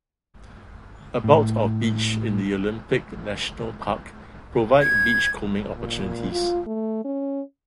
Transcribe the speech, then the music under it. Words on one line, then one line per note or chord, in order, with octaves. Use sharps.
About of beach in the Olympic National Park provide beachcombing opportunities.
A2
G#6
A#2
F4
A3
C#4